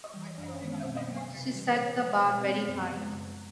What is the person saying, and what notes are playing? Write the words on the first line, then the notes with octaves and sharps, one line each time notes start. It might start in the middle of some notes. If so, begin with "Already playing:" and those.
She set the bar very high.
E3 G3
F#2 D4 D5
C5
C#4 C#5
D#3 G#3 B3 C#4 C5 C#5
B2 C4 C5
F#3 A#3
C3
E3 G3
A#2 C5
C#5
F3 A3 C5
C#5
B2 C5
C#5
C4 C5
G3 B3
C#5
F#2 C4 C5
C#3 F3 G#3
F#2